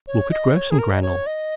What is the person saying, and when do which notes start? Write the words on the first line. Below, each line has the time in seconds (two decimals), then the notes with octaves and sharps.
Look at Grossengrannel.
0.07 C#5
0.31 D#5
0.55 C#5
0.71 G#4
0.79 A#4
0.92 D#5
1.02 C#5
1.26 D#5